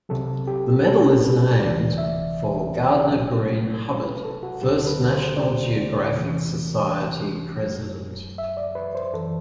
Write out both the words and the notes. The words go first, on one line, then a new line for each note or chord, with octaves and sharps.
The medal is named for Gardiner Greene Hubbard, first National Geographic Society president.
C2 C3 F#3 A4
G4
A4
B4
D2 C3 E3 D5
E5
C2 C3 F#3
B4
A4
F#4
D2 D3 F#3 G4
A4
B4
C5
D5
E2 C3 E3
F#2 F#3
E5
D5
B4
C5
F#2 E3 A4